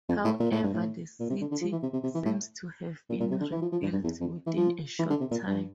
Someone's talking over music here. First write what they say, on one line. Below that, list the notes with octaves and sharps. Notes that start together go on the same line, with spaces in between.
However, the city seems to have been rebuilt within a short time.
F2
A2
A#2
A2
G2
A2
A#2
C3
D3
D3
F3
E3
C3
C3
C3
E3
A2
A#2
A#2
C3
D3
E3
F3
F3
G2
G2
E2
F2
E3
F3
E3
D3
C3
A#2
G2